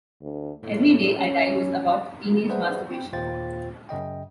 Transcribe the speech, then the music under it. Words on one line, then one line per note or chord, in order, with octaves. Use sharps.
"Every Day I Die" was about teenage masturbation.
D2
A2
C#4
G#4 B4 C5 D5 E5 F#5
C4 G5
D#2 A#2 F4 C5 G5 A6
F#2 C#3 D#5 G5